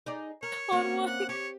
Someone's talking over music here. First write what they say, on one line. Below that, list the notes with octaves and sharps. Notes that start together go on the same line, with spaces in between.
on one,
D#4 G#4 D5
A#4 C#5
A#3 C4 C#4
F#5
G4 C#5